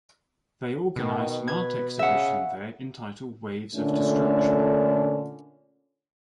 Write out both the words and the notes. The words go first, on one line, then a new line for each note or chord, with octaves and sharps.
They organised an art exhibition there entitled Waves Of Destruction...
B2 D#3
B4 G#6
C#3 E5 F#5
A#2 D3 A3 C#4 D4